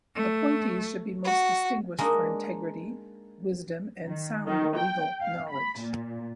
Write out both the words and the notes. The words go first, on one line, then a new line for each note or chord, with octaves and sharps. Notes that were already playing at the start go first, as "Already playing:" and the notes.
Appointees should be most distinguished for integrity, wisdom and sound legal knowledge.
A3
F#4
G#3 A#3 D4 D#4
D#3
D#3
G5
F5
B5
A#2